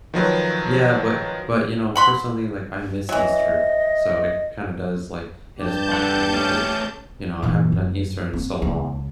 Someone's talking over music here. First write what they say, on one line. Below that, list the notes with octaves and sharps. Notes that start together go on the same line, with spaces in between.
Yeah, but but, you know, personally, like, I miss Easter, so it kinda does, like, hit a spot for me 'cause, you know, I haven't done Easter in so long,
D#3 F3 F#3 B4
F#5 B5 C6
E3 F#3 D#5
G2 G4 A5 G6
A4 F#5
A3 C#4
A#2 E3
F#2
C4
C#2